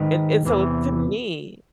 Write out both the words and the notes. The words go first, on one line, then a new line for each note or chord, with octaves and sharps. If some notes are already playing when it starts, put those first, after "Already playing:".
and and, so, to me
Already playing: G#2 D#3 B4
E2 C3 E3